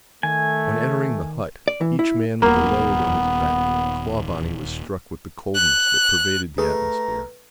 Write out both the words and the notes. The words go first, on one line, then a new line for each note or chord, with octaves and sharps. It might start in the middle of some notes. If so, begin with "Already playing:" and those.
On entering the hut, each man with a load on his back, Clawbonny was struck with the coldness that pervaded the atmosphere.
D#3 A3 G#5
D5
E3
E4
D#1 A#3 B3
F#6
A3 G#4 B4 A#5